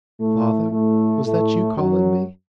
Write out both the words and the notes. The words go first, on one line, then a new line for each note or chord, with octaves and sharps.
Father, was that you calling me?
A2 A3
A2 A3
A2 A3
F#2 F#3